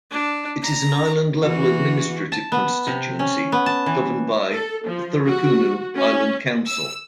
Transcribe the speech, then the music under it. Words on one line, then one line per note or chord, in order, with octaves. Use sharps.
It is an island-level administrative constituency governed by the Thuraakunu Island Council.
D4
A#5
E2 E3 F#4
A5
B3
C3
C#4
B3
A5
E3
A4
F3
F#4
C#4
E6